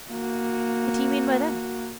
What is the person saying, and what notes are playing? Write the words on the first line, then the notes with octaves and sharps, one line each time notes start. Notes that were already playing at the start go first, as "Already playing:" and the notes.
"What do you mean by that?"
A#3 F#4